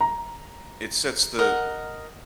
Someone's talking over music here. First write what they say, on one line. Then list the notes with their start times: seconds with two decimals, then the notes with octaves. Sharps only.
it sets the
0.01 A#5
1.39 A#4 D#5 F#5